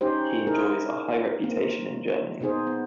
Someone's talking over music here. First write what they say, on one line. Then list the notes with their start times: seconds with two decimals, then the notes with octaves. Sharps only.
He enjoys a high reputation in Germany.
0.01 C#4 D#4 G4 C5
0.47 D#4 E4 G#4 A#4
1.43 A#3 C4
2.40 B2 B3 D#4 G#4 C5
2.67 B3